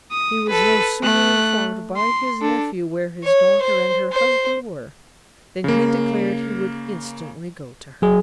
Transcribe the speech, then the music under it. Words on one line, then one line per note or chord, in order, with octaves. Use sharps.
He was no sooner informed by his nephew where his daughter and her husband were, than he declared he would instantly go to her.
D#6
A4 B4
A3 F#6
C6
D4 A4
C#5
C5
C5
C#3 A#3
F#3 G#4